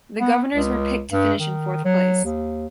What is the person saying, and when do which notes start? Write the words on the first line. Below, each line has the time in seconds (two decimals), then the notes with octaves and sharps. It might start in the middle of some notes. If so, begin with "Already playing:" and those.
The Governors were picked to finish in fourth place.
0.20 B3
0.54 C#2
1.12 G2
1.39 D#3
1.85 F#3
2.25 D#2